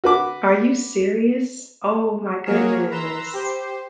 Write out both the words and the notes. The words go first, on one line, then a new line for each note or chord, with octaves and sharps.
Are you serious? Oh, my goodness.
F#4 B4 D6
F#3 A#3 F#4 G#4 A#4 C#5
B4 A#5 C6 E6
G4 C5